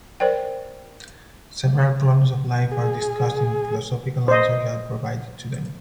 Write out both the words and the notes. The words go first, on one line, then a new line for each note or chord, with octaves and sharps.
Several problems of life are discussed and philosophical answers are provided to them.
A#4 C5 D5 G5
G#4
C5 D#5